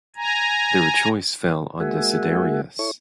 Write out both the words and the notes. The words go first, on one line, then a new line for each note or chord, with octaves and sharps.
Their choice fell on Desiderius.
G#5 A#5
G#3 A#3 F#4 E5 F#5 G#5
E4 A4 C#5 C#6